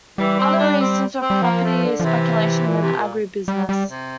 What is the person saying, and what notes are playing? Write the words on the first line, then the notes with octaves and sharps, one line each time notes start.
Other reasons were property speculation and agribusiness.
E3 G3
C4
D4
C4
C4
G3
F3 A#3
A3
D3
F3
C3 E3
A#2
C3
A#2
G3
G3
C3